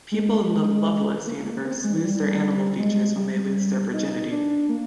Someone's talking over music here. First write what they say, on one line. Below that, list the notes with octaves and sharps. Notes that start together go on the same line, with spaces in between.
People in the "Loveless" universe lose their animal features when they lose their virginity.
G#3
A#3
C4
G#3
G3
G3
G#3
G3
D#4
D4
A#3